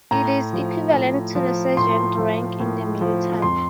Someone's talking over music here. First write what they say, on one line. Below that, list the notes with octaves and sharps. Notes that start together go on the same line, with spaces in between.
It is equivalent to the "sergeant" rank in the military.
A2 A#5
F3
A2
F3
A2 C6
F3
A2
F3
F2 C6